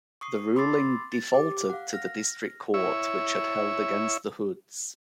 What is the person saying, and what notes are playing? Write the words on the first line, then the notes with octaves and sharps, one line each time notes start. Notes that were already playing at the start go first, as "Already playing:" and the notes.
The ruling defaulted to the District Court, which had held against the Hoods.
C#6 D#6 C7
B5 C6 D6 E6 A6 C7
A6
G4 D6
F5 F#5
F6 A#6
E4 C#5 E5